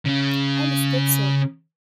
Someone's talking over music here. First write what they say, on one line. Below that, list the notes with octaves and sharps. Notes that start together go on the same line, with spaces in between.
Alice did so.
C#3 C#4